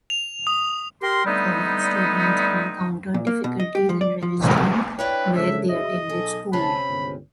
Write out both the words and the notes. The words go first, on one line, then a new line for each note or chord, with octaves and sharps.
College students encountered difficulties in registering where they attended school.
F7
D#6
G4 A#4 C6
D3 G3 A3 B3 C4 D#4
A#2
A#3
B2
D#5
G4
F3
D5
F3
E3
F2
D4 E4 B4 C#5 G5
C#3 G#3 A4 E5
F#4 G#4 D#5 E5
B1 G#4 A4
D2 C3 C4 C#4 A5 B5
G1 C#2